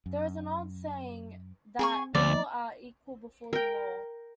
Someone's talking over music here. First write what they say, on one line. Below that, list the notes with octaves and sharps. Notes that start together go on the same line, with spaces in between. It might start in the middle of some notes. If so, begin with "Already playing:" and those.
There is an old saying that 'All are equal before the law.
F#2
C4 G#4 G#5 C#6
D2 F3 A#3 B3 D5
A#4 G5